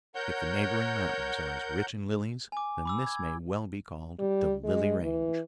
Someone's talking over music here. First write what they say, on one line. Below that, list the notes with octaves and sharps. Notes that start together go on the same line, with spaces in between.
If the neighboring mountains are as rich in lilies, then this may well be called the Lily Range.
A#4 C#5 F#5 G6
G#5 D6
B5 D6 E6
G#6
G3
G#3
E3